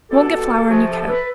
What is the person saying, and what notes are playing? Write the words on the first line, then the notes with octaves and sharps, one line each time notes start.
I won't get flour on your coat.
B2 G4 A4
C3 F3 F#4 G#4
G4 A4
A4 B4